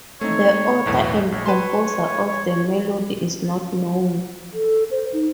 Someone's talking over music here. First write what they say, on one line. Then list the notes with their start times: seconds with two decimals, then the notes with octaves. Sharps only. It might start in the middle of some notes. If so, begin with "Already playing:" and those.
The author and composer of the melody is not known.
0.21 A3 C4 D#4 C#5
0.86 B1 E2 A2
1.32 A#1 C#5
1.46 B4 A5 C6
4.54 A4
4.91 C5
5.13 D#4